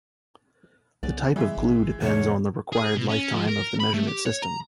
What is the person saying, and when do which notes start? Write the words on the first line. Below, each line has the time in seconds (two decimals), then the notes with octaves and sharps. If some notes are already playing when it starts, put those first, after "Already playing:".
The type of glue depends on the required lifetime of the measurement system.
1.03 C2 C#3 B3 D5
1.36 E3 G3 G#3 E5
1.57 A1
2.02 E2 C3 A3 D4 C#5
2.73 G#4
2.97 B2
3.09 C#4
3.34 F3
3.48 A#4
3.80 B5
3.94 A3
4.07 G4
4.26 C#5
4.43 A#5